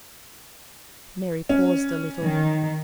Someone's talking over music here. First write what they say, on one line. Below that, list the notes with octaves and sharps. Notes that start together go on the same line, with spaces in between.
Mary paused a little.
C#4
D#3